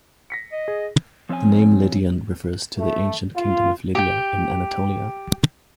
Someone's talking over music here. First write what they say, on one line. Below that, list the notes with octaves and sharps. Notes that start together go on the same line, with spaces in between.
The name Lydian refers to the ancient kingdom of Lydia in Anatolia.
A#6 B6 C#7
D#5
G#4
F3 C4 C#4 E5 G#5
A3
F4
G4 G5